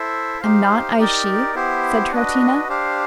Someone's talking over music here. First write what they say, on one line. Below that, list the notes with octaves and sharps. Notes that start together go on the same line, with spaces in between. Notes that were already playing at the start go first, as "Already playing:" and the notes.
"Am not I she?" said Troutina.
Already playing: E4 A4 C5 E5
D#4 G4 C5 F5
D#4 G4 A#4 D5
B3 E4 G4 C5
D4 F#4 B4 D#5
D4 G4 C5 F5